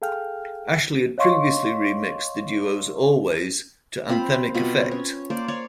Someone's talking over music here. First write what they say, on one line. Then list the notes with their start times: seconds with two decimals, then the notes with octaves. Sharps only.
Ashley had previously remixed the duo's "Always" to anthemic effect.
0.02 G#4 A4 F5 G5 F6
1.18 C#5 D#5 F5 C6 C#6
4.09 C4 F4 C5 B5
4.54 B2 C4 F4 B5
4.91 C#4
5.30 A#3 C5 D5
5.48 C#5 D5 F5